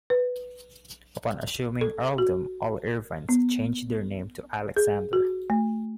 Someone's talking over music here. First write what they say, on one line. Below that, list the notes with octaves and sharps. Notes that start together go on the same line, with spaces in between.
Upon assuming the Earldom all Irvines changed their name to Alexander.
B4
A4
F#4
B3
G#4
F#4
A3